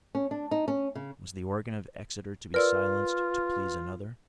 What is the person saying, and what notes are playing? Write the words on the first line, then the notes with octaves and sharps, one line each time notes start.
Was the organ of Exeter to be silenced to please another?
C#4
D4
D#4
C#4
C#3
F4 A#4 B4 D5 E6 F6